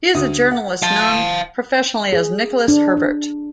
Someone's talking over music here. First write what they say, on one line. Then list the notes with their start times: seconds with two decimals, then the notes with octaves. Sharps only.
He is a journalist known professionally as Nicholas Herbert.
0.14 D2 F#4 D#6
0.51 F#5
0.82 F5 A5
2.13 G#4
2.68 D4
2.97 D4